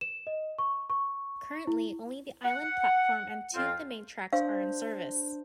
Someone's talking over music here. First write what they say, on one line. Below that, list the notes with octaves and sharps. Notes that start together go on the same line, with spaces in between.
Currently, only the island platform and two of the main tracks are in service.
E7
D#5
C#6
C#6
E4
F#5
F2 C4 F4
D4 C5 F5